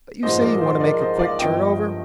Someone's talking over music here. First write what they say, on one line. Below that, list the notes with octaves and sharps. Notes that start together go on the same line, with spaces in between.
But you say you want to make a quick turn-over?
A#1 G#2 F3 C5 D#5
A#4 D5
C5
D#5
A#4 D5
C5 D#5
D5 F5
G1 G2 D3 F3 D#5 G5